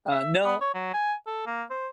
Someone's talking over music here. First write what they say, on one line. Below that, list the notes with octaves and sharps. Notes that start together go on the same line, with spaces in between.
Uh, no.
E5
B3
C#5
F#3
G#5
A4
A#3
C5